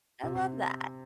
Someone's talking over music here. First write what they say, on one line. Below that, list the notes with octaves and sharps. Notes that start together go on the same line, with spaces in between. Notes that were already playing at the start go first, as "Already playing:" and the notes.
I love that.
C3
C3